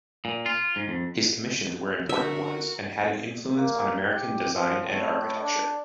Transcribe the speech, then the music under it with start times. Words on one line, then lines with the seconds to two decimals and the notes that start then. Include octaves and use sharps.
His commissions were important ones and had an influence on American design and architecture.
0.25 A#2
0.46 F4
0.76 G#2
0.88 F2
2.09 D3 F#4 A#4 E5
3.58 A#3
4.05 G4
4.54 F3
4.85 A2
5.42 D4